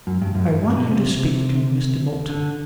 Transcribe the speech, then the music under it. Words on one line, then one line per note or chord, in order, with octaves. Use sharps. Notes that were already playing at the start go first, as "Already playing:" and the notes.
'I want you to speak to Mr. Moulton....
F#2
G2
F#2
G2
G2
B2
C3
C3
D3